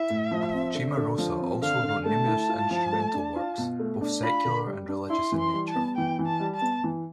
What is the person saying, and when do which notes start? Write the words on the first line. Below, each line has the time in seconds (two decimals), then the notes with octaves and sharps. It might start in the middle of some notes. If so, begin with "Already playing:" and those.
Cimarosa also wrote numerous instrumental works, both secular and religious in nature.
Already playing: E4 E5
0.10 A2
0.31 F3
0.54 C4
0.75 D3
0.97 D3
1.18 F3
1.40 C4
1.62 D3 F5
1.83 D3
2.05 A3 A5
2.27 E4
2.49 F4
2.70 F3
2.92 A3
3.14 D4
3.36 F4
3.58 B2
3.79 A3
4.01 D4
4.23 F4 B5
4.45 D3
4.66 G3
4.88 D4
5.10 E4 C6
5.32 E3
5.38 C6
5.54 G3
5.68 A5
5.75 B3
5.96 E3 G5
6.19 E3
6.26 A5
6.40 G3
6.55 A5
6.61 B3
6.84 E3